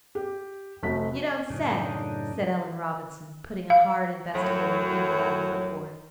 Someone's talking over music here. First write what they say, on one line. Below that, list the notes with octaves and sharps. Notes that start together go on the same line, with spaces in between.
"You don't say!" said Ellen Robinson, putting a hard, investigating finger on the foot-board.
G4
F1 A3 F#4 B6
F#2 A2 C#3 D4 D#4
F5
F#2 A2 F#3